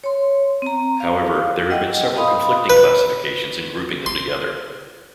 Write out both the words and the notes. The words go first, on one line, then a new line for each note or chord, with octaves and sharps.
However, there have been several conflicting classifications in grouping them together.
C#5 C6
C4 A#5
F5
D#5 F#5 G5
D#5 F5 B5 C6 D#6
B4
C6